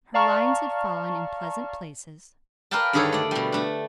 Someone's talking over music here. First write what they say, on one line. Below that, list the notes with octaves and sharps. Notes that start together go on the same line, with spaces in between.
Her lines had fallen in pleasant places.
D5 F5 A5 A#5 C#6 F6
A#4 B4 D5 F5 G5 A5
G2 D3 D#3 G#4 A4 C#5
A3 D5
B2 G3
A3 D4